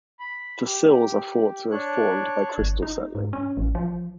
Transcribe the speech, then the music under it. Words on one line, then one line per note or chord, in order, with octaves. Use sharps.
The sills are thought to have formed by crystal settling.
B5
G4
D4 C#5 F#6
G1
D#4
G#2
C#4
A1
F3